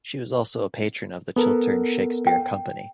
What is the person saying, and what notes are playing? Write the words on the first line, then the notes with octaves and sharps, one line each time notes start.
She was also a patron of the Chiltern Shakespeare Company.
B3 A4 A#4
G5